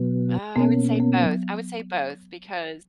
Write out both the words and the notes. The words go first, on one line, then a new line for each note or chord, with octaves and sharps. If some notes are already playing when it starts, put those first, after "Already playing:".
I would say both I would say both, because,
Already playing: B2 F#3 B3
B2 A#3 B3 C#4
B3
F#3